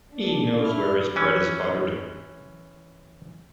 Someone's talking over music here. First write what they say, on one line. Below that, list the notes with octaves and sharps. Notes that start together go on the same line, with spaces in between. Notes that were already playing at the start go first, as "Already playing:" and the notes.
He knows where his bread is buttered.
D4
E4 F6
E3 C#4